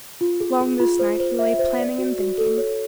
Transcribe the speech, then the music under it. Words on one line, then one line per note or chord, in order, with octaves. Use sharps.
Long this night he lay planning and thinking.
F4
G#4
G#4
F4
C5
C5
E5
C5
D5
F#4
F#4
A4
C#5